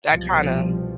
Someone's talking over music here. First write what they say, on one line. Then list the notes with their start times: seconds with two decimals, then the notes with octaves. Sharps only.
that kinda
0.13 C2 B2 F3 G3